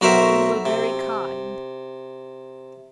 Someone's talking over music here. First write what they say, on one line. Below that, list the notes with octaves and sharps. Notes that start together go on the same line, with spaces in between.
You were very kind.
B1 F#4 A#4 C5 E5
C3